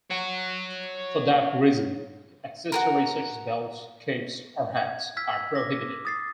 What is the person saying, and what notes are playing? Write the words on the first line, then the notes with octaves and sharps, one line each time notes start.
For that reason, accessories such as belts, capes or hats are prohibited.
C#5 F#5
F#4 G#4 A#4
G#6
E6 F6 G#6 B6
D6 A#6
D#6 A6 C7